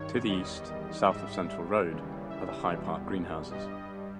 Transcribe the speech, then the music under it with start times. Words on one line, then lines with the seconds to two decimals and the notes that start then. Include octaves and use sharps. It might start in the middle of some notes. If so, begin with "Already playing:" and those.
To the east, south of Centre Road, are the High Park greenhouses.
Already playing: G2 D#3 C#5
0.29 E2 D#3 G3 D#5
1.09 G#2 G3 E5
1.90 D#2 C#3 E3 G3
2.30 E5
2.71 E2 B2 G3
3.50 G2 G3 D#5